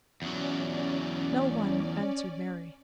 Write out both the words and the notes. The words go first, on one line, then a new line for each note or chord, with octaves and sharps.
"No one!" answered Mary.
E2 F#3 C#4 D5